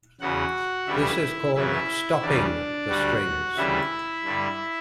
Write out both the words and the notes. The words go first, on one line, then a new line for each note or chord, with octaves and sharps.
This is called "stopping" the strings.
E2 C#3 E3 F#4 F#5
D2 C#3 E3 G3 E4 E5
F#2 C#3 E3 E4 E5
E2 C#3 E3 G3 D4 D5
D2 D3 G3 F#4 F#5
D2 C#3 E3 G3 E4 E5
G2 D3 G3